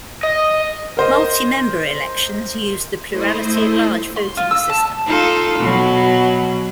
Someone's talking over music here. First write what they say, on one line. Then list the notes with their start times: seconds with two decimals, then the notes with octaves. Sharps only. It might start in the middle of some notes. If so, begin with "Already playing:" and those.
Multi-member elections used the plurality-at-large voting system.
0.23 D#5
0.97 A#4 C5 D#5
3.08 A3 E4 C5 D#5
4.16 C6
4.37 F4
4.51 E6
4.70 A5
5.06 D#4 F4 A4
5.59 B2 F#3